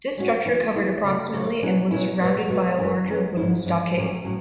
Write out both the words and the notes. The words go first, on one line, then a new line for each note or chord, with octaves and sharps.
This structure covered approximately and was surrounded by a larger wooden stockade.
G#2 G#3 C#4 F#4
E3 B3 E4
E3 B3 E4
C#3 F#3 A3
C#3 F#3 A3
B2 F#3 C#4 E4
B2 F#3 C#4 E4
B2 G#3 B3 F#4
B2 G#3 B3 F#4
F#2 E3 G#3 C#4
F#2 E3 G#3 C#4
G#2 G#3 C#4 E4
G#2 G#3 C#4 E4
A2 F#3 C#4
A2 F#3 C#4